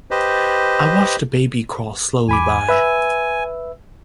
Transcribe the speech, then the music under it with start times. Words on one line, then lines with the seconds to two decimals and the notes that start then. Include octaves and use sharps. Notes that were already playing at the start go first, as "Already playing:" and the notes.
I watched a baby crawl slowly by.
0.11 G4 B4 C5 D#5
2.29 E2 G#5 B5 D6
2.69 B4 E5 E6